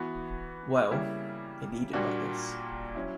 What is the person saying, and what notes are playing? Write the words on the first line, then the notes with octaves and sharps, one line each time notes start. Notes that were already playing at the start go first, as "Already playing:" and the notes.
Well, it needed but this.
Already playing: E3 B3 F#4
C#3 G3 A#3 C#4 E4
A#2 G3 A#3 D4 F#4
F#3 C#4 E4